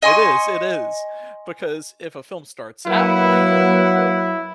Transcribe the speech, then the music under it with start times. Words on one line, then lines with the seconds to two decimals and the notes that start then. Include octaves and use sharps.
It is, it is. Because if a film starts out lame
0.02 D#5 G#5 C6 C#6
2.87 F#3 A#3 E4 B4 F#5